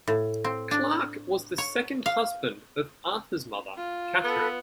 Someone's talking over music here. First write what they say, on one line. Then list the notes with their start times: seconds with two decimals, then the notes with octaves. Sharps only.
Clarke was the second husband of Arthur's mother Katherine.
0.08 A2
0.44 C4
0.71 D4
1.58 C#5
2.06 F5
3.77 F4
4.24 B3 A4 B4